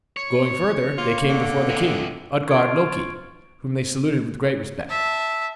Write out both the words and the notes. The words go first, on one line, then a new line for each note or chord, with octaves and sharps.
Going further, they came before the king, Utgard-Loki, whom they saluted with great respect.
C#5
A#3 F4
D3
C3 G#3
F4 C#6 G#6 D7
E5 A5